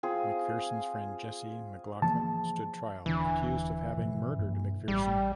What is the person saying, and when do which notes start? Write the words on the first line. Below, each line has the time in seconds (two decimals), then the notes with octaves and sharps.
McPherson's friend Jessie McLachlan stood trial, accused of having murdered McPherson.
0.03 C4 F4 G#4
2.02 E3 F3 A#3 A5
3.06 D#1 D3 E3 D4
3.97 G#2 B2 F3
4.39 G2 A#3
4.88 A1 G3